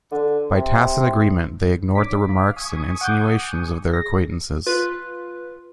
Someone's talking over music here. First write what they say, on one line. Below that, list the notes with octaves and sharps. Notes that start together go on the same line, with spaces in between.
By tacit agreement they ignored the remarks and insinuations of their acquaintances.
D3
C3
D4 C#5 D6 B6
F5
G#5 C#6 D#6
F#5 D6 G6
G#4 A#6
F4 B4